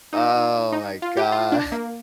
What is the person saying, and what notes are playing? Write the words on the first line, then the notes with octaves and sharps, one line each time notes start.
Oh my god.
D#4
D#4
F4
G4
F4
D4
A#3